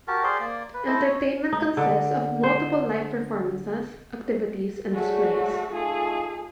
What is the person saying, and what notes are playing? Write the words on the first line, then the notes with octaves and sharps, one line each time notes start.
Entertainment consists of multiple live performances, activities and displays.
F#4 G4 A#4 A5
G#4 C5 D5 C6
A#3 D5
B4
E4 A4 C5 D#5
C#5
D#4
D3
C5
F#3 G3 A3 F#4 G#4
A3 D#4 F4 G#4 A4